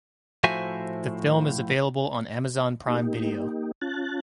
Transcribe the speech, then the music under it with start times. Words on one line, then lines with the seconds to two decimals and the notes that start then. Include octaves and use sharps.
The film is available on Amazon Prime Video.
0.44 A2 F3 F#4 C5 E5 G#5
2.87 A#3 D#4 G4
3.81 C#4 F4 A5 F#6 A6